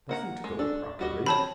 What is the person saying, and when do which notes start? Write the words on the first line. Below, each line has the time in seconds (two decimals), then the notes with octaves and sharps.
Doesn't go properly.
0.09 A#3 F#5 A#5
0.44 G#3
0.59 D4 A4
0.99 G3 F#4 D#5
1.26 C4 C#5 A5 B5